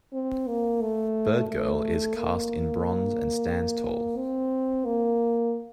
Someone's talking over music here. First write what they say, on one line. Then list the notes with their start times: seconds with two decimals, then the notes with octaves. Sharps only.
"Bird Girl" is cast in bronze and stands tall.
0.13 C4
0.47 A#3
0.81 A3
1.48 A3
2.15 A#3
4.17 C4
4.85 A#3